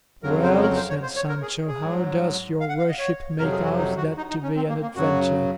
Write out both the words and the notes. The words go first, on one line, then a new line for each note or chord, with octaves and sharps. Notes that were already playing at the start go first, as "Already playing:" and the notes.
"Well," said Sancho, "how does your worship make out that to be an adventure?"
F2 C#3 F#3 A#4
C5
A#4
C5
C#5
C5
C#5
A#4
G#4
G#4
G#2 F#3
F5
F#5
F5
D#5
C#5
F2 C3 F#3 A#4
G#4
F#4
D#4
F#4
D#4
D#4
C#4
C4
A#3
A#3
F#2 C#3 F#3 F#4